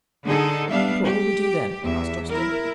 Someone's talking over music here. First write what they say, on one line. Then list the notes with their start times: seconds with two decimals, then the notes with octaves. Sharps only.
"And what will we do then?" asked Austin.
0.24 D3 D#4 G#4 A4
0.70 G3 B3 D4 E5 F5
1.05 G4
1.83 E2 E5
2.30 E4 A#4